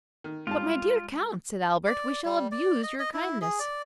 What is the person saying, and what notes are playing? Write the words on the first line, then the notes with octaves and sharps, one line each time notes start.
"But, my dear count," said Albert, "we shall abuse your kindness."
D#3
G#2 G3 F4 A5
D5
G3
D5
D#5
D#5
E4
G#4
D5